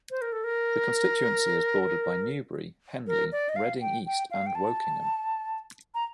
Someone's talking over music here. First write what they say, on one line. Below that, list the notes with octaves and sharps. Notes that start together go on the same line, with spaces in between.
The constituency is bordered by Newbury, Henley, Reading East and Wokingham.
C5
A#4
A4
A#4
A#4
D5
D#5
F5
G5
G5
F5
G5
A5
A#5